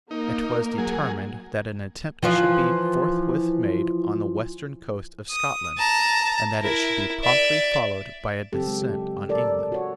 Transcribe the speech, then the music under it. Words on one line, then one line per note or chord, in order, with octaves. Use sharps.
It was determined that an attempt should be forthwith made on the western coast of Scotland, and that it should be promptly followed by a descent on England.
A#3 D#4 A#4
F#3 G#4
E3 F3 F4
D#6
A5 A#5
E4 A#4
D5 E5
C#3 F#3 C4 G4 A4
G#3
G4
A4 A#4 D5
F#4 C#5